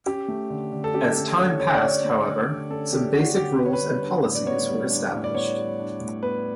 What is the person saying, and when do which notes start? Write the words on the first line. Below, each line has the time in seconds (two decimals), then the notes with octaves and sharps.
As time passed, however, some basic rules and policies were established.
0.06 C#4 G4
0.28 A3
0.50 D3
0.72 D3
0.84 A4
0.94 C#4 G4
1.16 A3 A4
1.38 D3 C#5
1.60 D3 C#5
1.74 D5
1.82 C#4 C#5
2.05 A3
2.26 D3
2.48 D3
2.70 C#4 A4
2.93 A3 G4
3.14 D3 F#4
3.37 D3 G4
3.58 B3 B4
3.66 C#5
3.73 B4
3.81 G3
4.03 D4
4.25 A2
4.35 D5
4.46 B3 C#5
4.68 G3
4.90 D4
5.13 A2
5.24 D5
5.34 B3 C#5
5.56 G3
5.79 D4
6.00 A2
6.23 B3 B4